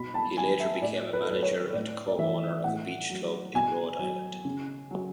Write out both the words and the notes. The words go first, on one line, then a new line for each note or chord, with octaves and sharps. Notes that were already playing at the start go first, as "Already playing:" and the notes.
He later became a manager and co-owner of a beach club in Rhode Island.
Already playing: B2 B5
A5
F#3 G#5
E5
A2 D5
B4
A4
F#3 B4
C#5
A2 D5
D5
E3 E5
A2 F#5
F#3
B2 G#5
F#3
C#3
F#3